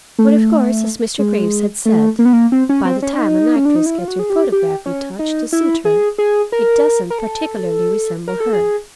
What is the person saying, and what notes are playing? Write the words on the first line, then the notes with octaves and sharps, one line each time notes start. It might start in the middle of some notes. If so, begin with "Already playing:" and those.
But of course, as Mr. Graves had said, by the time an actress gets her photograph retouched to suit her, it doesn't particularly resemble her.
A3
G#3
A3
A#3
B3
A#3
C4
C#4
C4
C#4
D4
D#4
C#4
D4
D#4
E4
F4
F#4
G#4
G4
G4
C#4
D#4
E4
G#4
G#4
A#4
A#4
A4
A#4
A4
G#4